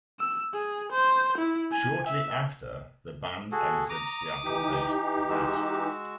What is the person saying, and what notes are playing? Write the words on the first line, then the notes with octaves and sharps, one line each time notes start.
Shortly after, the band entered Seattle based Avast!
E6
G#4
C5
E4
G#5
E5
F#4 G#4 A4
A#5 D6 D#6
E3 D#4 G4
G#3 F#4 E6